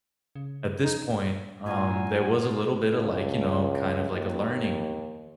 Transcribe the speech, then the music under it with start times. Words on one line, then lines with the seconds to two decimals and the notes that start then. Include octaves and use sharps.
At this point, um, there was a little bit of, like, you know, kind of like, a learning
0.35 C#3
0.82 F2 D#4
1.66 A2 F#3 F4 F#4 E5 G#5
2.95 C#2
4.11 D#2